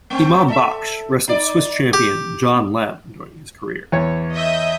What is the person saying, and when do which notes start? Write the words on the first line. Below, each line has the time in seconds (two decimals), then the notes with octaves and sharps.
Imam Baksh wrestled Swiss champion John Lemm during his career.
0.10 A3 C4
0.48 A4 D#5 E5
1.28 D#4 D5
1.93 G4
3.92 E2 C#5
4.33 D#5 E5 G6